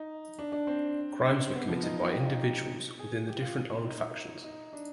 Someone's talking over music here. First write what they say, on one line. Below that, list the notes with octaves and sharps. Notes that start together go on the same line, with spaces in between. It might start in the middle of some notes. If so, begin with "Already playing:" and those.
Crimes were committed by individuals within the different armed factions.
Already playing: D#4
D4
D4
C4
C4
B3
F3
D#4
D#4
G4
F4
D#4
G4
G#4
G4
F4
D#4
D#4
D4